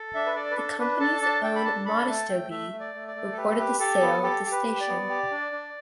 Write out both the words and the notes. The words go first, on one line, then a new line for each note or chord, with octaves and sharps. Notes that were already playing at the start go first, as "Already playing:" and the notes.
The company's own "Modesto Bee" reported the sale of the station.
Already playing: A4
D4 E5
B4
A4 D5
B4
D4 A4
D4 B4
A4 A5
D4 A5
A4 G5
B5
D4 A5
A4 B5
A3 A5
A3 G5
A3 E5
A3
D5
A3
D5
A3
A4
G4 B4
G4
G4 A4
B3
G4 A4
G4
B4
G4
D5
B3
G4
D4
D4